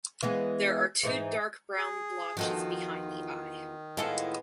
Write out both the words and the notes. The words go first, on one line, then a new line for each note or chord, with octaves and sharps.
There are two dark brown blotches behind the eye.
E3 G#3 B3
G#2 E3 D#4
G#4
E2 D#3 F3 D#4 F4 F#4 A4
A2 G#3 B3 E4 F4 A4